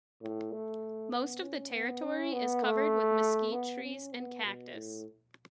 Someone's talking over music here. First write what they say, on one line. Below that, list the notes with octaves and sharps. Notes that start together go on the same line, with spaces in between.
Most of the territory is covered with mesquite trees and cactus.
A2
A3
B3
C#4
B3
C#4
B3
A3
B3
C#4
B3
B2
A2